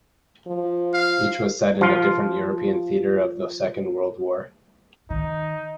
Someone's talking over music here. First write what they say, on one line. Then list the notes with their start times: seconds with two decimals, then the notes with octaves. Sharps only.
Each was set in a different European theatre of the Second World War.
0.47 F3
0.94 F5
1.81 F3 F4
5.10 D#3 D#4